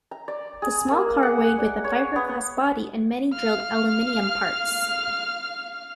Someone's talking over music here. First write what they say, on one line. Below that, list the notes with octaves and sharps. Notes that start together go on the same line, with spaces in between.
The small car weighed with a fiberglass body and many drilled aluminium parts.
A#5
D5
G#4
A#3
F#5
D5
C#5
B3
F5 F6